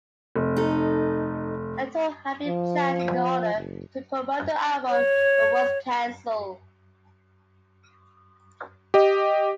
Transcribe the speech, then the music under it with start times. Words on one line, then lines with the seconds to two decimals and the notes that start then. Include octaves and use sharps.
A tour had been planned in order to promote the album, but was canceled.
0.36 F1
0.57 D#4 A4
2.47 F3
3.55 F#1
4.90 C#5
8.94 G4 D#5